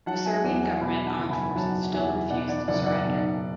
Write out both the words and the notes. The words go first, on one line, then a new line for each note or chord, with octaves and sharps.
The Serbian government and armed forces still refused to surrender.
F#3 F#5 A5
E5 G#5
E2 D5 F#5
E5 G#5
B2 G#5 B5
F#5 A5
F#1
G#5 B5
F#3 F#5 A5
E2 E5 G#5
B2 D5 F#5
D5 F#5
F#1 D5 F#5
D5 F#5
B1